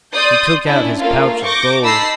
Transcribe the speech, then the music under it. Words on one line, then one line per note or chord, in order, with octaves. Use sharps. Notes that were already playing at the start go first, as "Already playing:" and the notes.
He took out his pouch of gold.
D5 C6 D#6 G6
C#4 D4 E4
A3 A#3 F4 F5
C#6 D6 G6 A#6
D#4 A5 B5 E6 A#6 C7